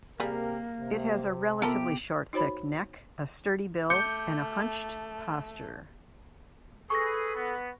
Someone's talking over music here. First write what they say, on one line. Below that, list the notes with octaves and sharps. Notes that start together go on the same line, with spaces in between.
It has a relatively short thick neck, a sturdy bill, and a hunched posture.
C3 G3 A#3 G4 G#4 A#4 F5
C3
B3 F4 G4 A4 A#4
D#4 F#4 C5 C#5 B5
A3 D6 G6 C#7
G#4 A4 B4 C#6 A#6
B3